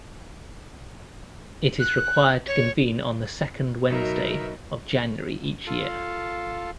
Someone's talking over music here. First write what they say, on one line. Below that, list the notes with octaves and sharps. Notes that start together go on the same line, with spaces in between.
It is required to convene on the second Wednesday of January each year.
F#6
C#5
B2 F#3 D#4 A#4 B4 E5
F4 A4 F5 A5